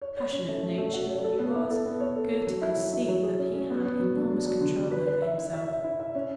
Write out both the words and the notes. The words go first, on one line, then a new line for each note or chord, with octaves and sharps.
Passionate nature though he was Gerty could see that he had enormous control over himself.
C#5
C#5
C#4
A3
A3
A3
F#4
C#5
A4
B3
E4
A4
B3
C#5
A4
A4
F#3
E4
F#3
E4
F#3
G#4
C#4
C#4
B3
B3
F#3
D4
D4
F#3
D3
D3
B4
B4
E5
E4
E5
E5
E4
E5
C#4